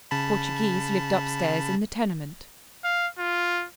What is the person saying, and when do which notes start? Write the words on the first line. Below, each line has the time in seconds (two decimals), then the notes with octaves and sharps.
Portoghese lived upstairs in the tenement.
0.11 C#3 A5 B5
2.84 F5
3.18 F4